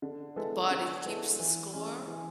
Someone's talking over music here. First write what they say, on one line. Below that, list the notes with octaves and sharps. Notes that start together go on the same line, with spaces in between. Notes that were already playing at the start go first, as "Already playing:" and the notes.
The Body Keeps the Score?
D3
G#3 B3 E4 A4
D3
G#3 B3 E4 A4
E3
G#3 C#4
E3